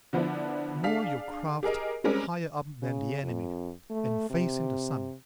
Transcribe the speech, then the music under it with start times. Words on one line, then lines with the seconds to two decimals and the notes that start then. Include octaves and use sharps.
Moor your craft higher up than the enemy, and facing the sun.
0.13 D3 F3 B3 D4 E4
0.83 D4 G#4 F5 B6
1.63 G4 G#4 A#4 D#5
2.04 G3 G#3 C4 C#4 G4 A#4
2.82 C#3
3.23 F2
3.90 A3
4.30 C3